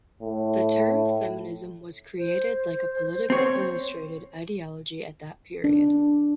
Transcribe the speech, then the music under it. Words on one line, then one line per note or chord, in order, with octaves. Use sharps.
The term Feminism was created like a political illustrated ideology at that period.
A2
C5
C4 C#5
D4